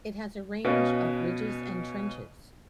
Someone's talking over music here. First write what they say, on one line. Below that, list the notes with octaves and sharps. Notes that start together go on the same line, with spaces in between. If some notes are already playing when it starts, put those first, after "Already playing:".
It has a range of ridges and trenches.
B2 C#4 B4 D#5 F5 D7